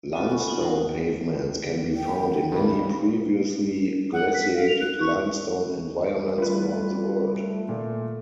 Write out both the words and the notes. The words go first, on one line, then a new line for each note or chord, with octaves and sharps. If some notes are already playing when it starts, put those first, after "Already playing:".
Limestone pavements can be found in many previously-glaciated limestone environments around the world.
C4 C#4 F4 F#4 A4
F#5 G#5 B5 C#6
D#4 F4
D#4 F#4 A#4 C5
G4
G5
C#2 G2 B5
F#5
B6
F5
F7
F#6
C#6
G3 A3 F4 B4
A3
A#2